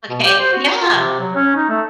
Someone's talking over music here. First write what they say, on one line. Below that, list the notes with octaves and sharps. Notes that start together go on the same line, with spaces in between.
Okay, yeah.
B2
G4
C5
F#4
F4
C3
F#3
C#4
D#4
A3